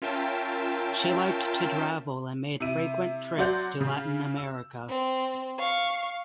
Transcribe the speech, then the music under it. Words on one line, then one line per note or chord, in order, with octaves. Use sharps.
She liked to travel and made frequent trips to Latin America.
C#4 F4 A#4 E5 G5 A5
C3 E4 D#7
F#3 D5 F#5 C6 G6
C#3
E6
C4
F5 C#6